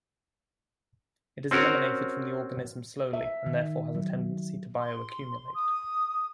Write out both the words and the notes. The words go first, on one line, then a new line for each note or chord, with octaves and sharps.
It is eliminated from the organism slowly, and therefore has a tendency to bioaccumulate.
C4 C#4 F#4 A#4
E5
D#3
F#3
C6
D#6